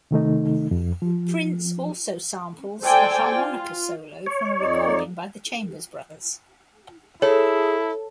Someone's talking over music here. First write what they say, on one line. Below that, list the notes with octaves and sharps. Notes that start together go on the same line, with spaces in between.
Prince also samples a harmonica solo from a recording by The Chambers Brothers.
C3 D#3 A3 D#4
F2
F3
A4 C5 D5 G5 G#5
F4
C#5
F2 D#4 D5
E4 G#4 A4 C#5